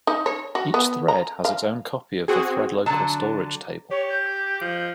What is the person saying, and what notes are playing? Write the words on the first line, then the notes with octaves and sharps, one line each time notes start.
Each thread has its own copy of the thread-local storage table.
D#4
C#5
F#4
B3
A#5
F5
C4 F#4 G#4
D3 F#3 A5
G4 C#5
G6
F3